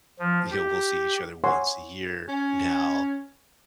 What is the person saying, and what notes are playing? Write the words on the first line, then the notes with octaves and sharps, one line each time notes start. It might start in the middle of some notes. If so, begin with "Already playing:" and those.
you know, we'll see each other once a year now,
F3
G4
C#5 F#5 G#5 C6
C#4